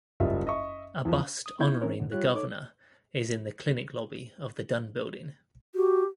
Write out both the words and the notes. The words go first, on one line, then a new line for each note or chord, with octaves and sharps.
A bust honoring the governor is in the clinic lobby of the Dunn Building.
F#1 G3 F4 D#5 E5
D#5 E5 C#6
E2 F3
D#6
B3 D#4 E4 G6 G#6
E3 C4 C#4 D#4 A#4 C#5
F#2 B2 D3 D#3
G3 F4 G4 C#5 F#6
D#4 A4 C#5 D6
F#4 G4